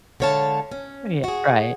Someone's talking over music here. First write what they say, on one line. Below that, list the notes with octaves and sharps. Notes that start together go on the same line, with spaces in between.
Oh yeah, right.
D3 G#3 C#5 F5 A5
C#4
F#4 G#4